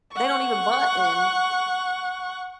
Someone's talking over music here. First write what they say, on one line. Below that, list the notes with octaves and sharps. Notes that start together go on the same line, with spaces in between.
they don't even button."
F#5 C#6